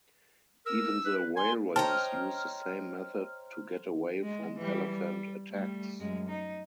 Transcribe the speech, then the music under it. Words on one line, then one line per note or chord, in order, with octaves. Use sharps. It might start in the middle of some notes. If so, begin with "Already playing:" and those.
Even the Railways use the same method to get away from Elephant attacks.
A#4 E6
B4
G#5 C6
C5 C#5 D#5 G5 A5 A#5 F6
G#3
E3 G3
G3
G3 A3
F#2 G#3
D#4